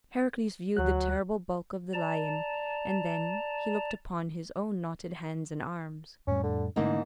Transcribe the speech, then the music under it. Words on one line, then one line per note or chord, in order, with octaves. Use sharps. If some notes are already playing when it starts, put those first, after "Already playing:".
Heracles viewed the terrible bulk of the lion, and then he looked upon his own knotted hands and arms.
D2 F#3 F#6
D5 A5 A#5
F2 A2 G3 C#4
D3
G#2 D3 E3 A3 A#3 C#4 D#4